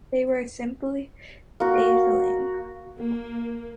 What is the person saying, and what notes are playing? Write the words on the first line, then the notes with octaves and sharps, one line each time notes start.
They were simply dazzling.
A#3 F#4
A#3